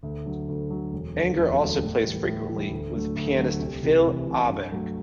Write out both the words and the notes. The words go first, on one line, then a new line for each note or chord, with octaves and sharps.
Anger also plays frequently with pianist Phil Aaberg.
D2
D3 F#3
D2
D3 F#3
E1
D2 D3 F#3
E1
D2 D3 F#3
A2
E3 G3
A2
E3 G3
D2
D3 F#3 A3
D2
D3 F#3 A3
C2
C3 E3
C2
C3 E3
G2
F#3 A3